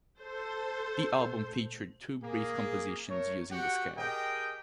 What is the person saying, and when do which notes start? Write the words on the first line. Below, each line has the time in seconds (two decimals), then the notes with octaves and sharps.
The album featured two brief compositions using the scale.
0.19 A4 C5
2.24 A#3 G#4
3.09 A3 A#4 C#5
3.52 F#4 G4 F#5
3.96 G4 G#4 A#4 D#5 G5